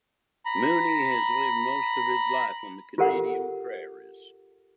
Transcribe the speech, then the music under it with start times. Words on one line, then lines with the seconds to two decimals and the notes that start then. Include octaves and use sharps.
Mooney has lived most of his life on the Canadian prairies.
0.46 A#5 B5
2.98 F4 G4 A4 A#4 F#5